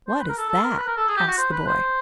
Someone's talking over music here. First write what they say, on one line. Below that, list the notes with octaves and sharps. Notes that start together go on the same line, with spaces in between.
"What is that?" asked the boy.
C5
B4
A#4
A4
A4
A#4
B4
A#4
A4
G#4
G4
F#4
C5
B4
C5